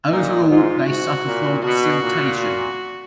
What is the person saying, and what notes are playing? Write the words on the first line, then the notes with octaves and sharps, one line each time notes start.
Overall they suffer from siltation.
A#2 D#4
G#2 F4
G#2 F#4
A#2
B2 F#4
A#2
F#4